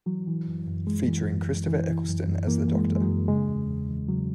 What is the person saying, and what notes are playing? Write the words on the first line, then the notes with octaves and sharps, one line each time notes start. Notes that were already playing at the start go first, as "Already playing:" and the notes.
Featuring Christopher Eccleston as The Doctor.
E3 F#3
E3
F#2
F#2
E3 G#3
E3
F#2
F#2
E3
E3
F#2
F#2
E3 A#3
E3
G#3
F#2
G#3
F#3
F#2
C#3 G#3
E2
E2
E3
C#3 F#3